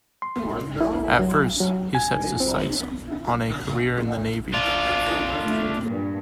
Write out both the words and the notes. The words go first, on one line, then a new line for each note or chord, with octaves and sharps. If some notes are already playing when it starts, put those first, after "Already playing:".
At first, he set his sights on a career in the Navy.
C6
E4
F#3
F#3
G#5
C4
D4 F4
A3
G2 A#2